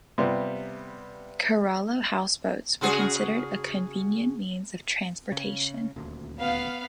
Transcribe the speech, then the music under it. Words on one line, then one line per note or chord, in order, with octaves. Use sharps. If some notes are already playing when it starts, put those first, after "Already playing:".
Kerala houseboats were considered a convenient means of transportation.
C3 G3 B3 F4
C#3 F#4 G#4
C#3
D#1 D2
B3 F5